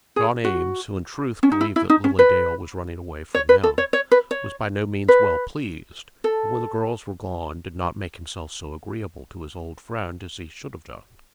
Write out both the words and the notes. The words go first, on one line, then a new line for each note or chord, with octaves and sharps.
John Eames, who in truth believed that Lily Dale was running away from him, was by no means well pleased, and when the girls were gone, did not make himself so agreeable to his old friend as he should have done.
G#4
F#4
C#4
D#4
E4
E4
D#4
C#4
B4
C#5
B4
A4
C#5
C#5
B4
C#5
B4
A4